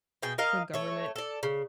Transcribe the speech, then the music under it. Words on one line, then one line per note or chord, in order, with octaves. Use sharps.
the government
B2 G#4 G5
A#4 D#5 F5
A3 C#5
A4 D5
C#3